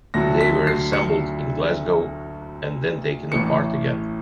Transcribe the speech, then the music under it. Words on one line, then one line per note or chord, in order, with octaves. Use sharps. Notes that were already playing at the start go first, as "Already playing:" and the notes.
They were assembled in Glasgow and then taken apart again.
D2 D3 F#3 A#6
B6
C7
C#7
A1 A2 E3 C#7